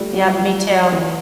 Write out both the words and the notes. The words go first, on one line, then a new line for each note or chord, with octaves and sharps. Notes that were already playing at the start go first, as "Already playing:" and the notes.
Yep, me too.
Already playing: G3 A3
F#3
F3
E3